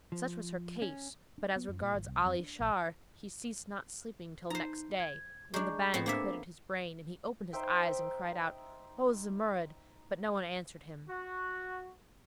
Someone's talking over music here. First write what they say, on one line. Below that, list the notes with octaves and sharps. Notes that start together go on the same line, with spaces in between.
Such was her case; but as regards Ali Shar, he ceased not sleeping till next day, when the Bhang quitted his brain and he opened his eyes and cried out, "O Zumurrud"; but no one answered him.
F3
C#4
D4
B3
F#2
A#2
G#1
C2
F2
D4
A#1
D#4 C5 A#5
G#6
G#3 D4 A#5 C#6 G6
A2 B3 C4
A#3 B3 D4 C5 E5 D6
D#4 C5 E5 G5
F#4